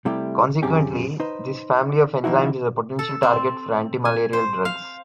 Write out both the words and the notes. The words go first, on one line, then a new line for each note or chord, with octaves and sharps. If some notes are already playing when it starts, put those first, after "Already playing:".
Consequently, this family of enzymes is a potential target for antimalarial drugs.
C3 G3 A3 E4 G4
F#2 C3 C#4 G4 G#4
D#4 B4 C5
D3 D#3 F3 D#4 E4 F#4
A4
C4
G#5
C5
F5